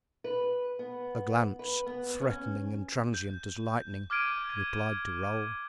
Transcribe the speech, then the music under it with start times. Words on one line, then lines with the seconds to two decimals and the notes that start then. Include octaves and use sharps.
A glance, threatening and transient as lightning, replied to Raoul.
0.24 B4
0.79 B3
1.59 B4
1.86 B3
2.21 C#4
3.14 G6
4.10 D6 F6 G#6 D7 D#7
4.50 G#6